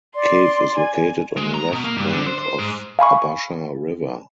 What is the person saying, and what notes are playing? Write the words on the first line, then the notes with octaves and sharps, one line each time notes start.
Cave is located on left bank of Abasha river.
D5 C6
G#5
G#3
A#5
B2
A#3
G2
D3
C5
C5
G#2
F5 G#5 B5 C#6